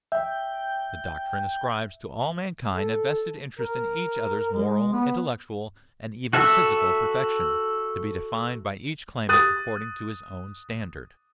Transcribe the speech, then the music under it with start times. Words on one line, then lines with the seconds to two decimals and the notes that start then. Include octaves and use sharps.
The doctrine ascribes to all mankind a vested interest in each other's moral, intellectual, and even physical perfection, to be defined by each claimant according to his own standard.
0.12 E5 G5
2.73 A4
3.60 A#4
4.54 G#3
4.93 B3
6.33 F#4 A4 E5
9.29 D#6 F#6 A6 D#7